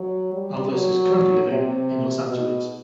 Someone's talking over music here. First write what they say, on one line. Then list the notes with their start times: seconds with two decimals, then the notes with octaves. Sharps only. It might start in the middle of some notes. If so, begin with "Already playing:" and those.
Alves is currently living in Los Angeles.
Already playing: F#3
0.33 G3
0.72 F#3
1.50 C3
2.28 B2